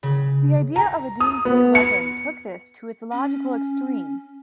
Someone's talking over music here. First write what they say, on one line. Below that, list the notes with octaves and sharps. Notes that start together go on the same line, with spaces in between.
The idea of a Doomsday weapon took this to its logical extreme.
C#3
A#5
D#6
B3
C#7
C#4